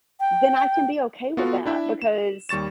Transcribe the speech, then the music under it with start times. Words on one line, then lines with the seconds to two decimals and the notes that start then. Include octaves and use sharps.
then I can be okay with that because,
0.20 G5
1.37 B3 F4 F#4 A4
1.66 D4 E4 E5
2.02 E7
2.49 D#2 G3 C#6 A6 E7